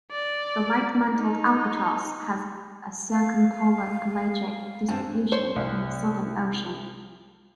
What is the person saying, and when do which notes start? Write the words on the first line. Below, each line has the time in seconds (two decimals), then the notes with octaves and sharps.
The light-mantled albatross has a circumpolar pelagic distribution in the Southern Ocean.
0.11 D5
1.15 D#4
3.10 F5
4.88 G2 C4 A4
5.32 C5 C#5
5.56 C2